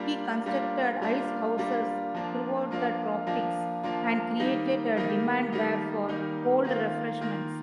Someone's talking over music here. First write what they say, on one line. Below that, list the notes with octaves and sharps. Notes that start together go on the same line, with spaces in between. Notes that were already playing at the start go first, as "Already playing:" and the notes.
He constructed icehouses throughout the tropics and created a demand there for cold refreshments.
Already playing: G3 A#3 D4 F4
G3 A#3 D4 F4
G3 A#3 D4 F4
G3 A#3 D4 F4
F3 A#3 D4 F4
F3 A#3 D4 F4
F3 A#3 D4 F4
F3 A#3 D4 F4
D#3 G3 A#3 D#4
D#3 G3 A#3 D#4
D#3 G3 A#3 D#4
D#3 G3 A#3 D#4
D#3 A#3 F4
D#3 A#3 F4